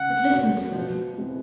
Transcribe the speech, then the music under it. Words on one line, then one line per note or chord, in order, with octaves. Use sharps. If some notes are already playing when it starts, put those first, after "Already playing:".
But listen, sir.
Already playing: C#2 C#4 F#5
B2 F#3 A#3 C#4
B2
G#3 C4 E4